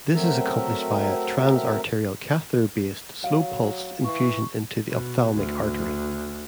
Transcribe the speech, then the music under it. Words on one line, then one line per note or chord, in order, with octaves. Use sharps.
This is accomplished via transarterial catheter based slow pulsed infusion into the ophthalmic artery.
F#3 A3 C4 A#4 E5
F#3 F5
E3 C#6
B2
D2